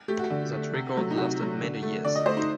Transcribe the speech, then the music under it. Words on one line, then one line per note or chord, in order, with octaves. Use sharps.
That record lasted many years.
A3 G4
F#4
D3 F#4
A3
C3
F#3 A3
D#4
C3 F#4
F#3 A3
D3
A3
D3 D5
D#5
A3 C5
D#4